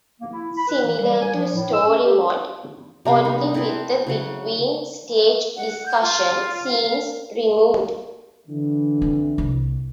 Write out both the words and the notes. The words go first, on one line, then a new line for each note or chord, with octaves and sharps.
Similar to Story Mode, only with the between-stage discussion scenes removed.
A#3
E4
B5
B4
E3
G3
G#5
F3
A2
E6
C#4
G4
C3 G3 B3 C5
D#4
C4 E4 A4 B4
C#3 F#3 F#5
F#5
G6
F4
F5
D3 E3
C4
C2